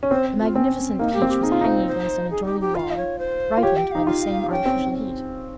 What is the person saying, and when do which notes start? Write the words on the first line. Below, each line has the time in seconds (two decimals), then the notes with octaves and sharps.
A magnificent peach was hanging against an adjoining wall, ripened by the same artificial heat.
0.03 C#4
0.11 C4 C5
0.40 F4
0.55 C4 C#4
0.99 A#3 D#4
1.13 G4
1.22 C4
1.29 G4
1.43 D#4 G#4
1.52 F4
1.61 D#4 C5
1.87 C5
2.31 G#4
2.45 G4
2.61 G4
2.75 F4 F5
2.91 D#5
2.97 C#5
3.19 C5
3.57 F4
3.62 G4 C#5
3.77 G5
3.92 D#4 F5
4.07 F4 F5
4.51 C#4 G5
4.66 C4